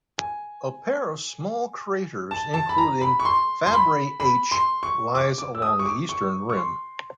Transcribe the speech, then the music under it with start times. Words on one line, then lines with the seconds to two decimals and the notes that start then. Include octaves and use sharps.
A pair of small craters, including Fabry H, lies along the eastern rim.
0.18 G#5
2.31 A5
2.54 A5
2.69 B5
2.78 A#5
3.01 B5
3.20 C#6
3.25 C6
3.66 C6
3.73 B5
4.20 B5
4.51 C6
4.83 C#6
5.15 D6
5.38 D6
5.55 E6
5.62 D#6
5.79 C#6
5.86 D6
6.09 C#6
6.49 C#6
6.57 C6